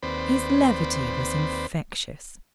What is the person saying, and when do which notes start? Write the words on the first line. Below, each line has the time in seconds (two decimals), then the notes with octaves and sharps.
His levity was infectious.
0.03 D#2 C4 B4 C5 D5 B5